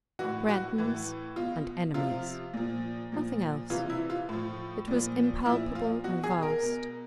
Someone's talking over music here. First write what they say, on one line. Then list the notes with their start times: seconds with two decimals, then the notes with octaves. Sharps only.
"Friends and enemies"--nothing else. It was impalpable and vast.
0.19 E3 F#4
0.24 A2
0.49 F#4
0.78 A2 E3
1.36 B2 F4
1.94 C3 F3 F4
2.54 A#2 F3
3.12 A#2 F3
3.70 C3 E3 F4
3.90 E4
4.10 F4
4.29 A2 F3
4.87 A#2 F3
5.46 A#2 F3 E4
5.75 F4
6.04 B2 F#4
6.24 G#4
6.42 A#4
6.62 B2